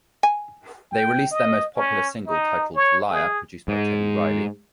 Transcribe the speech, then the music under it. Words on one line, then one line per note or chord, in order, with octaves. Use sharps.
They released their most popular single titled "Liar", produced by Teddy Riley.
G#5
G5
D#5
C#4
D#4
C#5
G#4
G#2